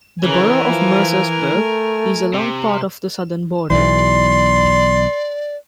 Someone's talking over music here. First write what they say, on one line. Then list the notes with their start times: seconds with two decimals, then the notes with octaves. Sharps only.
The borough of Mercersburg is along part of the southern border.
0.24 C#3 E3 A#4 G#5
0.64 F3
1.51 A3
2.34 C3
3.70 B1 E3 D5 C6